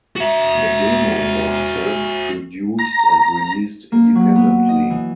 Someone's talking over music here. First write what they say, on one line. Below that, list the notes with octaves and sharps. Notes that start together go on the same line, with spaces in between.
The demo was self-produced and released independently.
F#4 E5
A#5
A#3
F#3
B3
D#5
E3